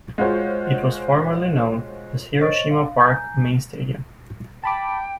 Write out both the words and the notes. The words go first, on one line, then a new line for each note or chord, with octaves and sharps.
It was formerly known as Hiroshima Park Main Stadium.
G#3 F4 F#4 C5 C#5
C5 C#5 D#5 C#6 A6 D7
F5
G#5 A#5 G6
G5 A5 B5 D6